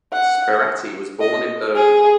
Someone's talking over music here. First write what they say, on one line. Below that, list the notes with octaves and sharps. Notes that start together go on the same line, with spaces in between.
Sperati was born in Bergen.
F#5
D#5
G#4